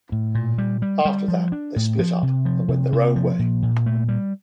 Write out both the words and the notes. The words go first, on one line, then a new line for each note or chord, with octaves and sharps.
After that they split up and went their own way.
A2
A#2
G3
G3
G3
F3
D4
A2
F3
C3
F3
C3
C3
F3
A#2
A#2
A3
G3